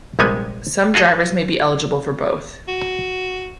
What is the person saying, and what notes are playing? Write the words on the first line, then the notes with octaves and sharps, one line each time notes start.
Some drivers may be eligible for both.
A#1 C3 G3 G#3 B3 G#5
F4 F#4 G#4 A4 D#5
F#4